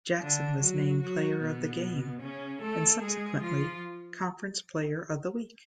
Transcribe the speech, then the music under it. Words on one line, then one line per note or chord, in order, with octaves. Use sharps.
Jackson was named player of the game and subsequently conference player of the week.
D3 D4
F#3 F#4
F#3 F#4
B2 B3
C#3 C#4
A3 A4
G#3 G#4
F3 F4